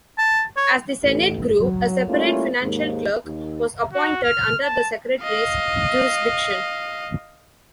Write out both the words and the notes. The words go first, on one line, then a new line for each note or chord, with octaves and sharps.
As the Senate grew, a separate financial clerk was appointed under the secretary's jurisdiction.
A5
C#5
A1
F#3
G3 A3 A#3 C#4 E4 F4
D#2 G#2 A#3
D#2
F#4
F6
A5
D#5 F5